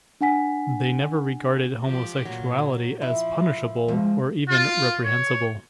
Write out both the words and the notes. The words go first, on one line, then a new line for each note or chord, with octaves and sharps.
They never regarded homosexuality as punishable or even reprehensible.
D4 F#5 G#5 B6
F3 G4
A#2 F#3
F3 E4
F2 F3 G#3
F4
C#5